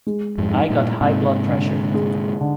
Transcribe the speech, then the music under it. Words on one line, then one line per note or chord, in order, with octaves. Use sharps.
I got high blood pressure.
G#3
F2 G#2
D#4
G2 A#2
G#2 C3 D#4
D3
G#3
D3